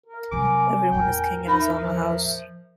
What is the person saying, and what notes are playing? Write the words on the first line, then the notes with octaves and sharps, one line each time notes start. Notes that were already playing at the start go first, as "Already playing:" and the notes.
Every one is king in his own house.
A#4
C3 F#3 G#5 D6
E2 A2 A#4 G5
D#4 B5
E5
F3